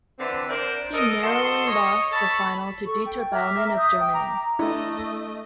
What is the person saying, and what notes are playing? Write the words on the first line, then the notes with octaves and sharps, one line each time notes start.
He narrowly lost the final to Dieter Baumann of Germany.
D3 E3 C4 D4
D4 A#4 C5
A4 A#4 D#5
F#4 A4 D#5 C6
C#5 D#5
A4 C#5 A5 B5
A4 C#6
G5
E5 A#5 D6 F6
E5 D#6 G6
G5
A#5 D6
A3 D4 E4 D#5